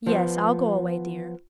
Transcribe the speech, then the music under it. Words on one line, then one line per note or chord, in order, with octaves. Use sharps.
'Yes, I'll go away, dear.
F3 B3